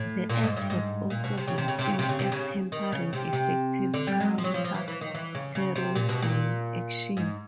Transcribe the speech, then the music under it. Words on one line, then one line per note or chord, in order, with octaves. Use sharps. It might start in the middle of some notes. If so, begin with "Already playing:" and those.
The Act has also been seen as hampering effective counter-terrorism action.
Already playing: A2
A#2
G#2
G2
G#2
A#2
B2
C3
C#3
C3
C#3
C3
C#3
C3
C#3
C3
C#3
D#3
C#3
C3
C3
D3
G3
G#3
F3
F#3
F3
F3
E3
E3
D#3
E3
C#3
C#3
C3
A#2
B2
A#2
G#2